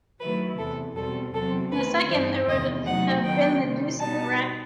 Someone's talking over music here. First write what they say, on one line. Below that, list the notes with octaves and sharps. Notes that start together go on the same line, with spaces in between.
In a second there would have been the deuce of a wreck.
D#3 F#3 A3 E4 B4
E2 C3 E3 A4
E2 B2 G3 C4 A4
E2 C3 F#3 C4 A4
D#3 A3 C4 B4
G2 E3 G3 D#4 C5
E2 C3 D#3 G3 C4 D#5
C3 F#3 A3 D#4 F#5
D#3 F#3 B3 D#4 G5
C3 D#3 G3 C4
B2 G3 B3 D#4 A5